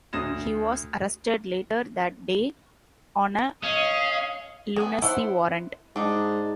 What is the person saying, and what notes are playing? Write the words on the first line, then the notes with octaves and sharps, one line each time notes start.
He was arrested later that day on a lunacy warrant.
D2 D#6 A#6 E7
C#4 D#5 F5
B3 G#4
E4 C5 F#5
G#2 D4 D#4